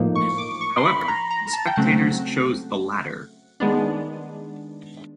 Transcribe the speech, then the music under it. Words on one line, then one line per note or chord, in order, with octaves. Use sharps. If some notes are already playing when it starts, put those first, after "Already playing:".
However, the spectators chose the latter.
Already playing: A2 F3 A#3 D#4
C#6
D6
C#6
C6
B5
A#5
A#5
A5
G5
C#3 F#3 A3 C4 F#5
D#3 G#3 B3 D4